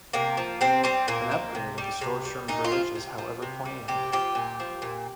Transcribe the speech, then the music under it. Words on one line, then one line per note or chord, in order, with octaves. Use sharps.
An upgrade of the Storstrom Bridge is however planned.
C3 A#3
F3
C3 C4
G3 C4
A#2 A#3
F3
C3
G3
C3
G3
A#2 D#4
F4
F3
C3
F3
C3
G3
C3 G4
F3 G4
A#2
F3
A#2